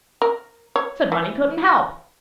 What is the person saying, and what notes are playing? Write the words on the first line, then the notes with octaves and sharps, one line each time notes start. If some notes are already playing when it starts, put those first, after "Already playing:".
Said money couldn't help.
A#4
C#5
E3